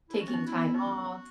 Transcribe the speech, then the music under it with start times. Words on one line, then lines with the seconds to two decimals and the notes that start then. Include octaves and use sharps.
taking time off,
0.10 C#4 E4
0.20 F#4
0.28 B3
0.33 C#4
0.47 E4
0.54 B3
0.68 B3
0.74 C#4 F#4